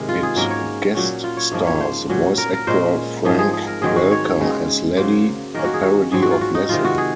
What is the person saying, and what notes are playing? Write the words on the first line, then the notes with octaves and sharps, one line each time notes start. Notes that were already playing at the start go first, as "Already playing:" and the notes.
It guest stars voice actor Frank Welker as Laddie, a parody of Lassie.
Already playing: G#2 C3 D#3 G#3
F4
G#4
G#2 F#3 A#3 C#4 A#4
C#5
A#2 F#3 C#4
F4
C#5
G#2 F3 A#3 C#4
C#5
C5
A#2 F#3 C#4
A#4
A#4
A#2 G#3 C#4 C5
G#2 F3 C4 G#4
G#4
G#4
A#4
G#2 D#3 F#3 C4 G#4
F#4
C#5
C#3 G#3 C4
C#3 F#3 A#3 C5
D#3 A#3 C#4 A#4
F#4
G#4
F#4
G#2 F#3 C4 G#4
F#4
F4
F#4
D#4
C3 D#3 G#3 F4
F#4
G#4